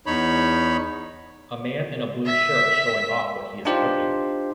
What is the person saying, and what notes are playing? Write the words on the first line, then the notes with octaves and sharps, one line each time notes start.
A man in a blue shirt showing off what he is cooking.
E2 D#4 C#5 B5
E5 B6
D4 D#4 F4 G4 C5